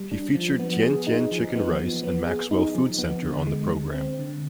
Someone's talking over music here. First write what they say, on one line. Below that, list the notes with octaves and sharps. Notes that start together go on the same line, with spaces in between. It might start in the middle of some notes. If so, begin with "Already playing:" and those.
He featured Tian Tian Chicken Rice and Maxwell Food Centre on the programme.
Already playing: G3
D4
F3
B3
G#4
D#4
F3
B3
F3
B3
G#4
D#4
F3
B3
D3
G#3
D3
C4
D3